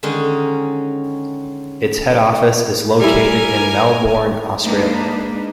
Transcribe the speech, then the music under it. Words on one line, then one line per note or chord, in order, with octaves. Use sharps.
Its head office is located in Melbourne, Australia.
D3 D#3 G#3 C#4 D#4
G3 E4 A#4 G#5
G#3 A#3 D4 D#4 B4